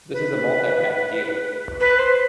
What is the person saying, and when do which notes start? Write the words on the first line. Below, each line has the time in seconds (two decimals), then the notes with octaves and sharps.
This is a multi-pack deal.
0.13 B4
1.80 B4
1.99 C5